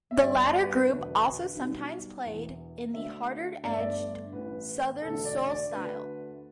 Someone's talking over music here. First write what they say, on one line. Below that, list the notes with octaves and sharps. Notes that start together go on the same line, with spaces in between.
The latter group also sometimes played in the harder-edged Southern soul style.
E5
G1 G2 G3 D5
D5
B4
E1 D2 D3
B1 B2 G3
E1 E2 E3
D2 D3 A3 E5
G1 G2 D3 A3 D5
E5
D5
A1 A2 E3 B4
E1 D2 D3 A3 A4
D5
D5
D2 D3 A3 B4